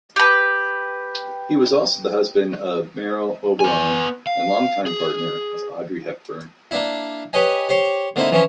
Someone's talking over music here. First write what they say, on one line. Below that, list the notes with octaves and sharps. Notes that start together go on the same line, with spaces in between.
He was also the husband of Merle Oberon and longtime partner of Audrey Hepburn.
G4 B4
B3 G#5
F5
G#4
A#3 D4 E4
G4 B4 C#5 D#5 G#5
G4 C5 C#5
D3 A#3 C4 D#4 E4
E3 F3 C#4 E4